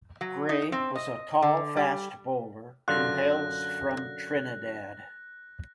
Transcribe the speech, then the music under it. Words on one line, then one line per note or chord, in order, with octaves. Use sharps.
Gray was a tall fast bowler who hails from Trinidad.
F#3
D#4
C4
D#5
D3
G3
F#2 D3 F4 F#6 A#6